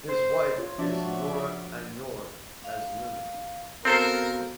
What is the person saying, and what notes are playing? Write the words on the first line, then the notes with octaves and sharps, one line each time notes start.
His wife is Nora Aunor as Lumen.
C5
F4 C#5
F3 D4 C#5 D5 E5
F#4
F5
B3 C4 F#4 A4 A#4 C5 F5